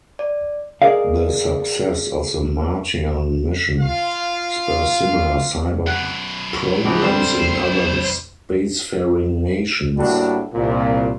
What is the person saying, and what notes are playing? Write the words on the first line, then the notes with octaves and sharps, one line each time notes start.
The success of the Martian mission spurs similar cyborg programs in other spacefaring nations.
D5
G#4 A#4 D5 D#5 F5
F4 F5
F#2 B2 F#5
C#2 E3 F3
D3 G3 C4 C5
A2 G3 A#3 D4 F#4 A4
C2 A#2